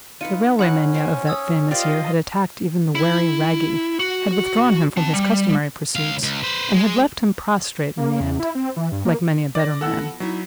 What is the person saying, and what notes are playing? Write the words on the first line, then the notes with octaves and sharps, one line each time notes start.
The railway mania of that famous year had attacked even the wary Wragge; had withdrawn him from his customary pursuits; and had left him prostrate in the end, like many a better man.
D#4 F4 B4 C#7 D#7
C#4 D#4 F#5 B5 F#6
C5 G5 G#5
D#6 E6 G#6
F4 G4 A#4 C5 D5 D#5
E4
F#4
C4 A5
G3
C#2 F5
C#2
B4 C5
G#3
A#3
E2
E4
C4
E3
G2
A#3
D5 A#6
B2 E4 A4 F#5 E6
F3
F#3 D#4 E4 E5